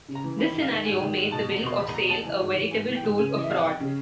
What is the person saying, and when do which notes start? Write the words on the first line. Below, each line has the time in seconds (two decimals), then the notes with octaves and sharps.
This scenario made the bill of sale a veritable tool of fraud.
0.08 C#3
0.15 A#5
0.24 E3
0.39 D#3 B5
0.55 G#2
0.62 F5
0.70 D#3
0.85 G#2 G#5
1.01 D#3
1.17 G#2
1.31 B2 A5
1.48 E2
1.63 B2 C6
1.78 E2 B5
1.94 B2 A#5
2.09 E2 A5
2.24 E3 G#5
2.40 G#2
2.55 E3
2.71 G#2 G#5
2.87 E3
2.95 G5
3.03 G#2
3.18 C#3 G#5
3.34 E3 D#5
3.43 E5
3.49 F2 F5
3.57 F#5
3.64 F2 G5
3.80 C#3